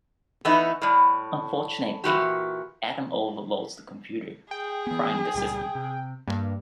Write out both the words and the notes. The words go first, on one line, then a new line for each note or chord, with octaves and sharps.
Unfortunately, Adam overloads the computer, frying the system.
E3 A3 B3 D#4 E4
A2 G3
A#2 E3 F#4 G4
G#4 G5
E3 B3
C#2 A#2 G3
C3
G2 A#3